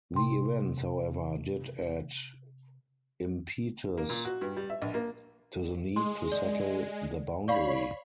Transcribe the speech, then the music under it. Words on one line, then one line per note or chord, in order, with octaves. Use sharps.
The events, however, did add impetus to the need to settle the boundary.
C3 G5 C6
A#3
A#2
F#4
G2
G3
E5
A#1
A#3
G#3 C6
D5
C#5 D5 F5 B5 C7